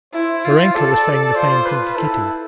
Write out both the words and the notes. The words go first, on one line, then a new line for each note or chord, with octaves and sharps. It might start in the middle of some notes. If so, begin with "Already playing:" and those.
Varenka was saying the same thing to Kitty.
E4 C5
F4
A4 D5
A4
F4 C5
B4
E4 A4